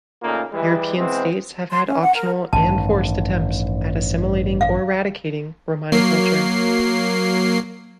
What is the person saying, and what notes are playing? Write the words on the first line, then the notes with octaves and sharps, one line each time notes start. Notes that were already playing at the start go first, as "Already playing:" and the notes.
European states have had optional and forced attempts at assimilating or eradicating Romani culture.
A#2 C#3 A3 A#3 D#4 F4
E3 G3 G#3
B2 E3 G#3 C4
C6
C#4
F#5
A#4
A1 G2 D#3 A5
F5
F#3 A#3 C7